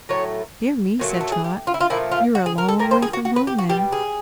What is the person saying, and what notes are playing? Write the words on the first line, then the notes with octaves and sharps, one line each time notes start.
"Dear me," said Trot; "you're a long way from home, then."
A2 F#3 A3 C#5
A#2 F#3 A3
A4
G#4
G4
F4
E4
F4
A#2 F3 A3 E4
F4
F#4
G#4
A#4
A4
A#2 G3 A#4
C5
G#4
F#4
F#4
B4
G4
F#4
B2 G3 G4
G#4